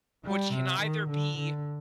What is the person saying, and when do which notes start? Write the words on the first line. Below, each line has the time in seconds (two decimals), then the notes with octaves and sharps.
which can either be
0.25 G3
0.54 C3
0.82 D#3
1.09 D3
1.38 D3